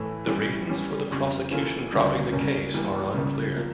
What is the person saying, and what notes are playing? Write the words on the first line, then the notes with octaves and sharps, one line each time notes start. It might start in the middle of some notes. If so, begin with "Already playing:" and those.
The reasons for the prosecution dropping the case are unclear.
Already playing: A2 E3 A3
E3 G3 C#4
E3 G3 C#4
F2 C#3 G3
E3 A#3 C#4 F4 A4
D2 C#3 G3 D4
C#2 C#3 G3 A#3 C#4
E3 G3 A#3
C#2 C#3 G3 A#3
F3 A#3